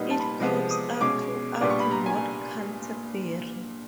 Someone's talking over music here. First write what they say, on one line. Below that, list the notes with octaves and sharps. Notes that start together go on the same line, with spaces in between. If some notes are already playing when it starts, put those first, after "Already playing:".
It crops out throughout North Canterbury.
Already playing: A#2 G3 B3 D#4
A5
B5
C3 F3 G#3 B3
D#6
B2 G#3 C#4 D6
A#2 G3 B3 D4 D6
C#6
B5
A#5
G#5